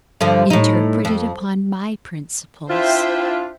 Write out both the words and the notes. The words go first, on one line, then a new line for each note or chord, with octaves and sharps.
Interpret it upon My principles.
G2 D3 F3
A2 D#4
F2
D4 E4 F4 C5 E5 G5